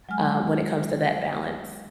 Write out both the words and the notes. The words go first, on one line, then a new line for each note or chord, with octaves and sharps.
um, when it comes to that balance?
F#3 G#3 G#5 F6